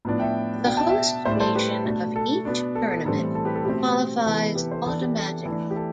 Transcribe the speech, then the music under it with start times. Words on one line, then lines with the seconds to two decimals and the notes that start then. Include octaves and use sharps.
The host nation of each tournament qualifies automatically.
0.05 A2 F3 B3 D4
0.20 E5 G5
0.65 B2 B3 D4 G5
0.77 A5
0.89 E5 G5
1.25 A2 G3 D4 C5 E5
1.35 D5
1.40 A4 C5
1.55 G4 B4
1.85 B2 A3 D4
2.16 A4
2.45 B2 B3 D4
2.75 A4
2.91 A4
3.05 A2 E3 G3 C4 A4
3.35 A4
3.45 G4 B4
3.55 A4
3.65 B2 A3 C4 G4
4.25 C3 E3 B3 A4
4.55 G4 B4
4.71 A4 C5
4.86 E3 B3 D4 A4
5.01 G4
5.17 A4
5.46 E3 A3 D4
5.71 G4
5.76 A4